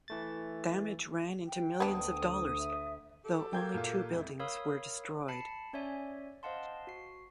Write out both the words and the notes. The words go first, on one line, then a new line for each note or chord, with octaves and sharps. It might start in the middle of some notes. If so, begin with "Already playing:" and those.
Damage ran into millions of dollars, though only two buildings were destroyed.
E3 A3 A6
G5
D2 B3 D4 D#6
E5
F#3 G4 A4
A#3 G5 G6 G#6
A#2 F4
F2 G#3 E4
A#4 C#5 F5 B5 D#6 E6
A5 B5 C7 C#7
C#4 C#5 D5 E5 G#5
C5 D#5 F5 F#5 A5 C6
F#4 C7